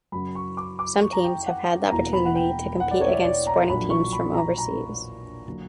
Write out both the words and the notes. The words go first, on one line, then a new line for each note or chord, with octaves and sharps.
Some teams have had the opportunity to compete against sporting teams from overseas.
F#2 C#3 F#3 C#4 B5
C#6
D6
D6
C#6
A#5
G5
F#5
E1 E2 B2 A#3 E4 A#5
B5
F#5
G5
F#5
D5
C#5
E5
D5
D5
A#5
A#1 A#2 F#3 A#3 D4 B5
C#6
B5
A#5
A#5
D3 F#3 A#3